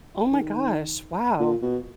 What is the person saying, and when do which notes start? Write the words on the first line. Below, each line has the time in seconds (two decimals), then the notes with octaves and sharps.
Oh my gosh, wow.
0.32 D#3
1.40 A#2
1.62 B2